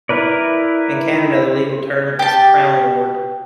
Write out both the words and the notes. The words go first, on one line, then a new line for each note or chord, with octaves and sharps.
In Canada the legal term is Crown ward.
E4 A#4 B4 D5
G4 A5